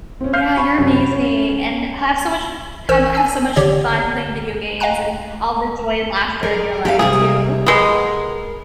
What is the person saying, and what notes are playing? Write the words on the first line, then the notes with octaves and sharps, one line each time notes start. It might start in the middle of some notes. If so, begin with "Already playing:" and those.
Yeah, you're amazing, and have so much ham have so much fun playing video games and all the joy and laughter in your life, too.
C4 C#4
F5 F6 G6 C7
G5 B5 C#6
F#2 C3
B5
C#4
A1 A#4 C5 E6 E7
G#5 E6
G1 D3 G4 C#5 D5 G#6
D#5 F5 G5 G#5 A#5 F#6
G#4 A#4 D5
G4 E5 F5
C3 G3 A#3 G#4
G#3 B3 A#4